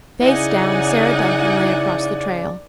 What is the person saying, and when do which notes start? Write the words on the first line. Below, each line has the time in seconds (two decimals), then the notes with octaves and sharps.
Face down, Sarah Duncan lay across the trail.
0.22 C#3 D#4 E4 D5 F#5 G#5